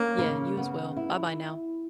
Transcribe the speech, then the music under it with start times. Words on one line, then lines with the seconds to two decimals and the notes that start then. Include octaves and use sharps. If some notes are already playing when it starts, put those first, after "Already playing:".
Yeah, you as well. Bye-bye now.
Already playing: A#3 C#4
0.18 C#3
0.57 B3
0.97 E4